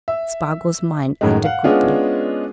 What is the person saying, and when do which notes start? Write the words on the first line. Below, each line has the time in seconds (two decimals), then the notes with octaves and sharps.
Spargo's mind acted quickly.
0.08 E5
1.21 F#2 A2 D#3 G#3
1.44 F5 F#5
1.64 G#3 B3 C#4 D4 F4 G#4